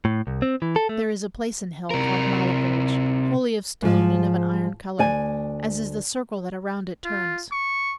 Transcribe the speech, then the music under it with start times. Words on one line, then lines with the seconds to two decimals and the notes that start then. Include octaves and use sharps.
There is a place in Hell called Malebolge, Wholly of stone and of an iron colour, As is the circle that around it turns.
0.05 A2
0.27 C2
0.42 C4
0.62 E3
0.76 A4
0.89 A3
1.91 C3 A#4
3.82 G#2 F3
4.99 D2 D5 G#5
7.05 F4
7.52 C#6